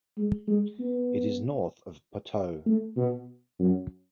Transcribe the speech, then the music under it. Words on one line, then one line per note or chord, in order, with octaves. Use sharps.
It is north of Poteau.
G#3
G#3
B3
A3
B2
F#2